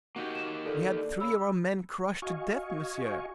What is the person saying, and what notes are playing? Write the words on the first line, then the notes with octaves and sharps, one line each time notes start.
"We had three of our men crushed to death, monsieur!"
A#3 D#4 F#4 G4
E7
A#2 A4
D4
C#3 B5 E6
F#4 D#5 F5 G#5 C#6